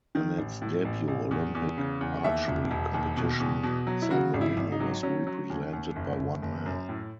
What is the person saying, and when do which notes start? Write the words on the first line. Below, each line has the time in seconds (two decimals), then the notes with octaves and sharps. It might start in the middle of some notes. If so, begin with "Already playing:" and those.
In its debut Olympic archery competition, San Marino was represented by one man.
0.15 D#3
0.38 A1
0.62 A2
0.85 A1
1.08 A1
1.31 E2
1.55 E2
1.78 C#3
2.01 E2
2.24 D#2 E5
2.47 E1
2.71 E1
2.94 D#2
3.17 B2
3.40 E2
3.63 B2
3.87 F#3
4.02 E4
4.10 C#3 F#4
4.34 G#1
4.41 E4
4.57 G#1
4.72 D#4
4.80 F#3
5.03 F#3 C#4
5.27 F#3
5.50 D#2
5.73 D#2
5.96 F#1
6.20 F#1
6.42 F#1
6.66 F#2
6.89 A2